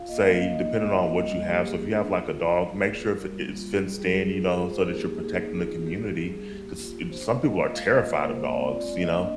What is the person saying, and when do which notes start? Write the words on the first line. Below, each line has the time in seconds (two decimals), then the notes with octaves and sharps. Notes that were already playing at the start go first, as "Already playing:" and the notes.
say depending on what you have so, if you have like a dog, make sure if i it's fenced in, you know, so that you're protecting the community, 'cause, eh, some people are terrified of dogs, you know?
Already playing: F4 F5
0.09 A#3 D#5
0.24 A#3 F5
0.33 D#5
0.40 A#3 F5
0.55 D#4 D#5
0.71 D#4
0.86 F4 D#5
1.03 A#3
1.18 G3
1.34 A#3
1.49 A#3 G4
1.64 A#3 G#4
1.80 D4
1.95 D4
2.11 F4
2.27 F4
2.42 D#4
2.58 G#3
2.74 A#3 G#4
2.90 F4
3.05 G3 A#4
3.20 G3
3.37 A#3
3.52 F4
3.68 G3
3.83 G3
3.91 G#4
3.99 G3 G4
4.15 G3 G#4
4.30 F4
4.46 F4
4.61 G#3
4.71 C5
4.77 D#4 A#4
4.85 G#4
4.93 A#3 G4
5.08 A#3
5.24 D#4 G#4
5.40 D#4 G#4
5.55 F4 G#4
5.71 A#3
5.86 G#3 G4
6.02 D4
6.17 G3 G#4
6.33 G3 G#4
6.49 A#3 G4
6.64 A#3
6.80 F4
6.96 A#3
7.11 D4 C5
7.27 A#3
7.43 G#3 D#5
7.59 F4
7.74 G#3 F5
7.89 F4 D#5
8.05 A#3 C5
8.20 A#3 A#4
8.36 G#3 C5
8.51 C4 D5
8.68 F4
8.83 G#3
8.99 A#3 D#5
9.15 D4